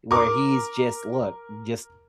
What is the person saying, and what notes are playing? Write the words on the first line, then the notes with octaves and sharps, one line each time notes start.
where he's, just look, just,
A#4 D6